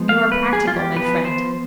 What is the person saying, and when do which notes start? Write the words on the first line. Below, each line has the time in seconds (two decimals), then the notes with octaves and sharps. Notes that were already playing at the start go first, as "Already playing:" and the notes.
'You are practical, my friend.
Already playing: F3 G#3 B3
0.09 F5
0.32 B4
0.53 G#4
0.67 F4
0.75 G4
0.96 F3 B3 B4
1.25 C5